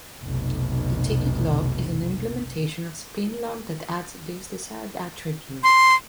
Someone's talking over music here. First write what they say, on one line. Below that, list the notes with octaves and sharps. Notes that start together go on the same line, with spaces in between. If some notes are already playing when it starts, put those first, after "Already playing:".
The ticket lock is an implementation of spinlock that adds this desired attribute.
F1 B1
C6